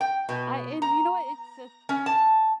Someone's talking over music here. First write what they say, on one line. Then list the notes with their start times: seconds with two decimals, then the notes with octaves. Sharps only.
I and you know what, it's it's
0.01 G5
0.29 B2
0.82 A#5
1.89 C#4
2.06 A5